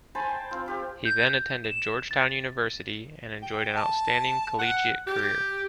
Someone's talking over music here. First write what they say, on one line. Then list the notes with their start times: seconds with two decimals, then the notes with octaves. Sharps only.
He then attended Georgetown University and enjoyed an outstanding collegiate career.
0.15 C5 G#5 A5 B5
0.29 G5
0.51 C4 F4
0.66 F4 G4
1.05 G6
1.64 E7
2.11 A6
3.42 G5
3.77 A5
4.59 F#5
5.07 G4